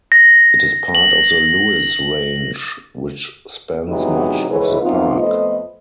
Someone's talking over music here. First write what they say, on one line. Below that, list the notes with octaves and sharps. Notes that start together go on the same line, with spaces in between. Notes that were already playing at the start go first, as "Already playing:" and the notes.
It is part of the Lewis Range, which spans much of the park.
A#6
F#7
C3 E3 F#3 G#3 B3 D#4
G#2 E3 G#3 E4 B4 C#5
F#2 B3 C4 D#4 F4
F2 A3 B3 C5 D#5